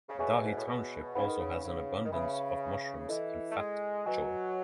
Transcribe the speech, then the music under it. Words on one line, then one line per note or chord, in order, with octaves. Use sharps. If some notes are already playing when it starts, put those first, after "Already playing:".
Dahe Township also has an abundance of mushrooms and fat choy.
C#3
B2 G#4 C#5 E5 G#5 C#6
G#2
A2
B2
C#3 D#4 G#4 B4 F#5 B5
D#3
C#3
C#3
D#3
C#3 B4 E5 B5
E3 E4 A4 D#5
A3
G#3
F#3 B4 D#5 G#5